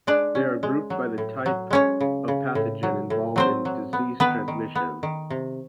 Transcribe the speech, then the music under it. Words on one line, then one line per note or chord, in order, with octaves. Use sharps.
They are grouped by the type of pathogen involved in disease transmission.
G#3 D4 D5
C#4
G#3
F#3
A2
F#3
G#3 C#4 C#5
C#3
C#3
A2
F#3
A2
F#3 C4 C5
F#3
B3
D#3 B3 B4
D#3
B3
D#3
C3